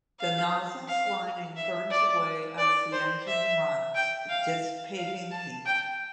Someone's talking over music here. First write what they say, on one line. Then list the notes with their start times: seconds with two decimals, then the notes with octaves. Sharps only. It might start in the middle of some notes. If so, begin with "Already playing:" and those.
The nozzle's lining burns away as the engine runs, dissipating heat.
0.20 F5
0.88 F5
1.56 E5
1.91 D5
2.58 D5
2.92 C5
3.27 E5
3.95 G5
4.29 F5
4.97 F5
5.31 A5
5.65 G5